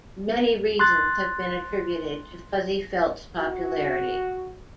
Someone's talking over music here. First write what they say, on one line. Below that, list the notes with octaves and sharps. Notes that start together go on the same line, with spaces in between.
Many reasons have been attributed to Fuzzy-Felt's popularity.
C6 F#6 A6
F#4